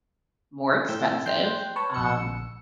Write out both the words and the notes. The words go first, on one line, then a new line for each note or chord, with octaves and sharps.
more expensive, um
A2 C4 E6 G6
G5 C6 F#6 G6
B4 C#5 A5
A#1 E6 C#7